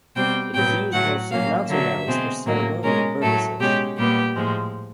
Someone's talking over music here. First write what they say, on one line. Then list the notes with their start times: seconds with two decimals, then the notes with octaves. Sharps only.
It is used mostly in mountain valleys for ceremonial purposes.
0.15 B2 G3 C4 G5
0.54 A2 F#3 B3 G5
0.92 A2 F#3 A3 F#5
1.30 A2 F#3 A#3 C#4 F5
1.69 D3 F#3 A#3 E5
2.07 B2 G#3 C4
2.45 A2 F#3 A#3
2.83 B2 G#3 C#4 A#4
3.21 A2 F#3 A3 A4
3.60 B2 G#3 C#4 G4
3.98 A#2 G3 B3 G4
4.36 A2 F3 G#3